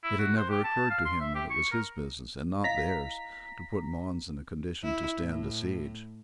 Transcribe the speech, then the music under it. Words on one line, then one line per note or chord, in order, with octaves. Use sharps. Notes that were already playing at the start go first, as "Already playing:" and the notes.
It had never occurred to him that it was his business, and not theirs, to put Mons in a condition to stand a siege.
E4
F#4
C5
G4
A5
F5
C6
E5
G4
C#6
A#4
E4 D#5 F5 A#5 B6
E4
A2